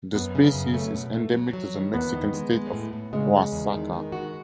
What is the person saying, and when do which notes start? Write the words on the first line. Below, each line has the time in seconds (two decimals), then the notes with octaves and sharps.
The species is endemic to the Mexican state of Oaxaca.
0.15 F#2 B3
0.35 C#3
0.54 F#2
0.74 A3
0.95 B2
1.14 A3
1.34 F#3
1.53 F#3
1.74 D#3
1.94 E2 B3
2.14 D#3
2.34 G#3
2.54 G#3
2.73 A2
2.93 A2
3.13 C#3 G#3
3.33 C#3
3.52 E2
3.73 D#3
3.93 D#3
4.12 F#4